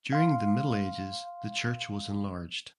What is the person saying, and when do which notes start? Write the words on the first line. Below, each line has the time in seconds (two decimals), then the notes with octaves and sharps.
During the Middle Ages the church was enlarged.
0.13 F5 C6